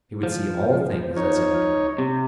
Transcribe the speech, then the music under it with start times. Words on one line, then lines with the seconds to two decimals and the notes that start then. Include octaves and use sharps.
He would see all things as in a dream.
0.23 F3
1.17 D#4 C#5
1.98 C3